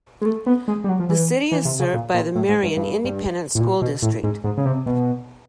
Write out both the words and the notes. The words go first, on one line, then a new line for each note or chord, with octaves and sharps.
The city is served by the Marion Independent School District.
G#3
A3
B3
G#3
G3
F#3
F3
E3
E3
C3
C#3
A#2
A#2
A2
G#2
G2
G2
G2
A2
A#2
B2
A2
G#2
G#2
C#3
C3
B2